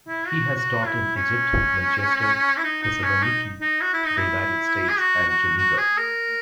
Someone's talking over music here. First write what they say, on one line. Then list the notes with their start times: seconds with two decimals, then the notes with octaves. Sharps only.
He has taught in Egypt, Manchester, Thessaloniki, the United States, and Geneva.
0.08 E4
0.28 F#4
0.57 F#4
0.87 E4
1.16 C#4
2.57 E4
2.64 D#4
2.83 D#4
3.03 C#4
3.22 D#4
3.61 D#4
3.81 F#4
3.93 E4
4.06 D#4
4.17 E4
4.89 G#4
4.99 F#4
5.28 F#4
5.58 F#4
5.78 G#4
5.98 A#4